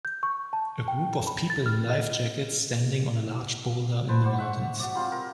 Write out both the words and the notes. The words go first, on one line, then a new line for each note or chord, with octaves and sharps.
A group of people in life jackets standing on a large boulder in the mountains.
G6
C#6
A5
G5
B5
A6
F6
D#5
B4 C5 A5
C5 D5 F#5
E5 F#5 C#6
F#4 D5
G3 C4 F4
A#4